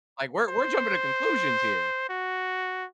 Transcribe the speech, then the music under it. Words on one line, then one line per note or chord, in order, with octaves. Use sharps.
Like, we're we're jumping to conclusions here.
C5
F#4